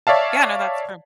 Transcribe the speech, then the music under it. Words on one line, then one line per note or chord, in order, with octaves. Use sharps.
Yeah. No, that's true.
C#5 D5 E5 F5 A5